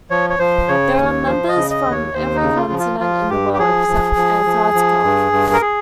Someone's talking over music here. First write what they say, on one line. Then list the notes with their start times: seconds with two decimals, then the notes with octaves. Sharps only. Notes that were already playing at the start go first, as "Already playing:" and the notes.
There are members from every continent in the world, except Antarctica.
0.10 F3 C#5
0.30 C#5
0.39 F3 C5
0.68 C#3 C#5
0.93 C5
0.97 D#2 C#5
1.26 F3 C5
1.48 D#5
1.56 C#3
1.70 D#5
1.85 D#2
1.91 C#5
2.14 D#2 C5
2.35 D#4
2.42 C#3
2.56 F4
2.72 F3
2.79 F4
3.00 F3 F4
3.30 G2 G4
3.53 G4
3.59 F3 G#4
3.88 F3
4.16 F3
4.45 F3
4.74 F3
5.04 G2
5.32 G2
5.53 A#4
5.61 G#4